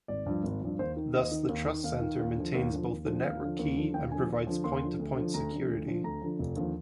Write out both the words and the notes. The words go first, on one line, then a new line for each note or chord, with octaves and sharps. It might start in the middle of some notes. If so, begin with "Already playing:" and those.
Thus, the trust center maintains both the network key and provides point-to-point security.
G#1 D5
G2 F3
G#1
G2 F3
D#2 C5
D#3
D#2 D#5
D#3
D#2
D#3
D#2 F5
D#3
D#2
D3 F3
D#2
D3 F3
D#2
D3 F3
D#2 F5
D3 F3
D#2
D3 F3
D#2 G5
D3 F3 G#5
D#2
D3 F3
D#2 C6
D3 F3
D2
D3 F3
D2 A#5
D3 F3
D2
D3 F3
D2 A#5
D3 F3
F1
D#2 D3 F3